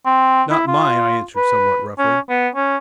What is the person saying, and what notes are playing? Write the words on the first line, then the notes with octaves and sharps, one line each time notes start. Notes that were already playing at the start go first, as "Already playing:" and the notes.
"Not mine," I answered somewhat roughly.
C4
E4
F4
B4
C#4
B3
C#4